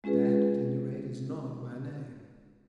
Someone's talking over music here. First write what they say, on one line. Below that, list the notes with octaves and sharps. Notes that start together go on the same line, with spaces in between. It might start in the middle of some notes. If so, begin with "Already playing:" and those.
"That at any rate is not my name."
G#3 C#4 F4 G#4 B4